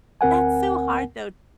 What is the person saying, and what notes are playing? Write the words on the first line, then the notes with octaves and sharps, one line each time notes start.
that's so hard, though,
D2 C4 A#4 F#5 G#5